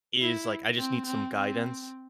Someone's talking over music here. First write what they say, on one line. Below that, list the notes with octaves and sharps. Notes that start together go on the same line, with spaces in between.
is, like, I just need some guidance.
E4
C4
C4
C4